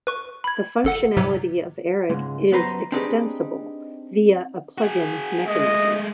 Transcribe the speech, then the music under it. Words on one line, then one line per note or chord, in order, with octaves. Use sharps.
The functionality of eric is extensible via a plug-in mechanism.
B4 C#6
B5 G#6
G1 A4 F#5
G#2 C3 F#3
C#2 G#2 G#3
F#2 B3 G4 B4 C5 A#5
C4 D4 D#4 G4 G#4 B4
F#4 G#4
G#3 A3 D#5